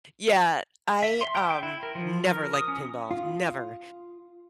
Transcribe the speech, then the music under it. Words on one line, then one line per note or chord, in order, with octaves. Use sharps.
Yeah, I, um, never liked pinball, never,
E5
C6
G5
G5
E4
A#4
F3
A#4
D#6
C#4
F4